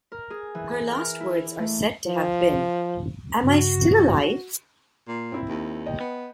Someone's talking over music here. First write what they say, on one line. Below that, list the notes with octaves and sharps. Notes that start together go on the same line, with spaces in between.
Her last words are said to have been Am I still alive?
A#4
G#4
E3
A#4
E4
A3
F3
G2 C#3 F#4
A#2
C4 E4
D#2
D#5 G5
B3